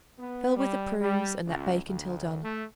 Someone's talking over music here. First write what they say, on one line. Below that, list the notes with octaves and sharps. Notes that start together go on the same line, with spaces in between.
Fill with the prunes and let bake until done.
B3
G3
G3
C#2
D2
A3